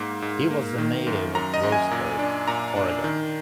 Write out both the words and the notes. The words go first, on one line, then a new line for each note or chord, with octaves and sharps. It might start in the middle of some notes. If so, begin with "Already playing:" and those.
He was a native of Roseburg, Oregon.
Already playing: G#2 A#3
G#2
A#3
D#3
F#2
F#2 A#5
D#5
F#2
G#5
A#2
D4
A#2 A#5
D4
D#3